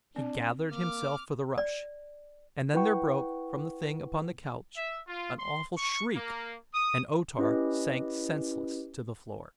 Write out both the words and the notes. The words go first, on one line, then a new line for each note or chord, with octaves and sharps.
He gathered himself for the rush--and then there broke from the thing upon the couch an awful shriek, and O-Tar sank senseless to the floor.
C4 D4
A#3 D6 F6
D5
E4 B4 F#5 G5 C#6
E5
F4
C6
C#6
A#3
D#6
C#4 E4 G4 B4 D#5